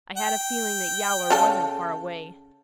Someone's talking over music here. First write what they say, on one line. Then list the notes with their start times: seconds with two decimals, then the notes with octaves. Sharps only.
I had a feeling that Yowler wasn't far away.
0.17 G5
1.30 C#3 A4 A5